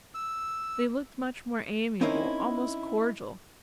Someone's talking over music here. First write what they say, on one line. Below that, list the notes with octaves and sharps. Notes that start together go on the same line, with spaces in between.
They looked much more amiable, almost cordial.
E6
C4 C#4 D#4 E4 A#4 C5